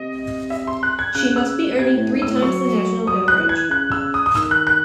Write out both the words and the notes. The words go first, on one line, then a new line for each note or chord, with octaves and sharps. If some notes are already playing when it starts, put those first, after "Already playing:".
She must be earning three times the national average.
Already playing: C3 D#5
E5
C6
F#6
G#6
C#3 F#6
E6
C3 G#6
A2
G#2
A2 E6
F#3 C#6
F#3 D#6
F#6
E3
G#6
C#3 F#6
E6
D#6
D#6
D#3 E6
F#6
F#6